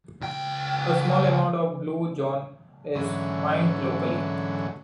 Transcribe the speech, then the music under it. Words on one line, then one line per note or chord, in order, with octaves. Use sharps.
A small amount of Blue John is mined locally.
C#2 G5
G#2 D3 E3 F#3 A3 C#4